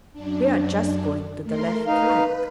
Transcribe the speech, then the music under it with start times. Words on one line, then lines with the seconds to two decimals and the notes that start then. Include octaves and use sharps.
We are just going to the left flank.
0.13 F#2 D4
1.44 A3 A#4 C6
1.87 D#4 B4 F5